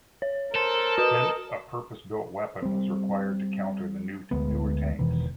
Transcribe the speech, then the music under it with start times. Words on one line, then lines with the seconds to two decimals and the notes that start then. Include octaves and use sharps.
Hence, a purpose-built weapon was required to counter the newer tanks.
0.22 C#5
0.55 A4 A#4 C5
0.98 F#4 B4 D#5
2.62 G3 C4
4.31 D2 G#3 B3
4.99 E1 B2 D#3 E3